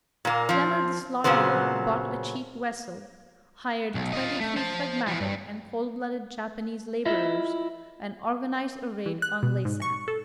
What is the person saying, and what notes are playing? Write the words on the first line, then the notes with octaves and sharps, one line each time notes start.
Schlemmer the Slaughterer bought a cheap vessel, hired twenty-three phlegmatic and cold-blooded Japanese laborers, and organized a raid on Laysan.
A#2 A#3
F3 C4
A#2 C#3 F#3 B3 C4
B1
F4 D#5
A3
C5 A5
E3 F3
G2
E4 F4 D#5 E5
E3
F#6
B2
G#2
C#6
A4